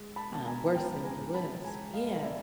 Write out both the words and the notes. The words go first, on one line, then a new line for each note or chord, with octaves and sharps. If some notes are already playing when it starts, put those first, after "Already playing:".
uh, worse than what it was Yeah.
Already playing: G#3
A5 B5
B2 A5
G#5 A#5
A#5
C#2 G5 A5
G#5 A#5
C#2
A5 B5
G#3 G#5 A#5
D#5 F5
B2
D5 E5